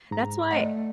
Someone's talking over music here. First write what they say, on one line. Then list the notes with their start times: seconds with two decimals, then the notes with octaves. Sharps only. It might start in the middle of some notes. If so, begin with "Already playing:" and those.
That's why
0.11 G#2 A#5
0.51 A3 D5 D#5 F#5